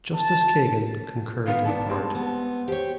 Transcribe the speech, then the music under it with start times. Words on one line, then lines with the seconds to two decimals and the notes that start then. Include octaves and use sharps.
Justice Kagan concurred in part.
0.14 A5
1.46 D#3 B3 F5
1.65 D#3 B3 D4 A5
1.89 G3 G#3 C4
2.15 B3
2.68 G4 C5 C#5